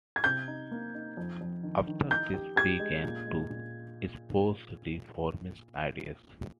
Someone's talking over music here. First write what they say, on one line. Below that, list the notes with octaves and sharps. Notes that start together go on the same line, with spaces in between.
After this he began to espouse "reformist" ideas.
G#6
C3 G6
D#4
A#3
D#4
F2
F2
D#3
D#3
D#4 G6
G4
G4 G#6
G#3
A#2
G#3
A#2